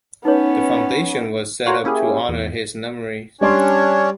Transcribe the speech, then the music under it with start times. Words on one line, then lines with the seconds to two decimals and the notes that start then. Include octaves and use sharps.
The foundation was set up to honor his memory.
0.25 B3 C#4 D#4 B4 C#5
1.66 F#4 A#4 C5 C#5 F5 F#5
1.84 A#3 C#4 E4 G4 G#4
2.28 E2
3.41 G3 C#4 D4 C#5 D5 C6